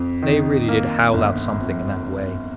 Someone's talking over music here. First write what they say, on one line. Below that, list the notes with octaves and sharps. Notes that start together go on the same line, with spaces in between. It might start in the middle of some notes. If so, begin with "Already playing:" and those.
They really did howl out something in that way.
Already playing: F2
D#3
A#3
G1
F2